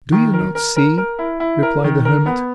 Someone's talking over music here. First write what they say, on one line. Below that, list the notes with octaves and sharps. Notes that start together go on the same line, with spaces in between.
"Do you not see," replied the hermit.
D#3
A#4
A#4
A#4
A#4
E4
E4
A#4
D#3
A#4
B3